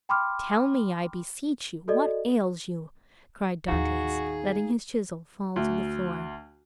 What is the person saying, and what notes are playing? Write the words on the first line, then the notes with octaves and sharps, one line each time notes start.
"Tell me, I beseech you, what ails you?" cried Dantes, letting his chisel fall to the floor.
G5 B5 C6 D6 F6
F#4 A4 D5 D#5
D#2 A2 D#4 F#4 G#4 F5 A#5
D2